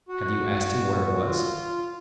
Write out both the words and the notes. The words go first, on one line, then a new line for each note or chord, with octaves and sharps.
Have you asked him where it was?
F#4
F4